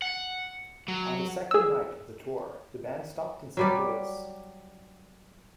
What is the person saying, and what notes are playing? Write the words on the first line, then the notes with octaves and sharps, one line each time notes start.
On the second night of the tour, the band stopped in Saint Louis.
F#5
F#3
G#4 E6
F#3 G3 D5